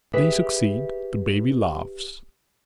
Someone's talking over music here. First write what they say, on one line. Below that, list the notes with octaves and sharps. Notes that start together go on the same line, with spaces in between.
They succeed, the baby laughs.
G4 G#4 B4 E5